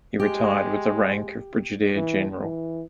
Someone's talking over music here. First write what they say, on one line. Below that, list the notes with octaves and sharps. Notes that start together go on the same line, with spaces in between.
He retired with the rank of Brigadier General.
G#3 G4
E3
E3